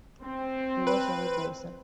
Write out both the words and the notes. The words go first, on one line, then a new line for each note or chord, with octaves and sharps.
He was survived by a son.
C4
B4